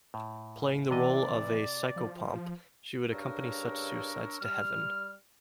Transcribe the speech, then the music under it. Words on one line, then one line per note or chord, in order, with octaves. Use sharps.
Playing the role of a psychopomp, she would accompany such suicides to heaven.
A2
C3 E3 D5 D#5
F3
G2 C#3 D4 A#4 C#5 E6
G3 F6